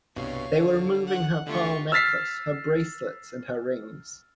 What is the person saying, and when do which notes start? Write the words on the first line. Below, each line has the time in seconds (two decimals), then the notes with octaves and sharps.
They were removing her pearl necklace, her bracelets, and her rings.
0.16 C2 G2 B2 C#5 F5
0.57 D3
1.06 F#5
1.46 D3 A3 F4 G4 C#6
1.92 E6 F6 A6 B6 C7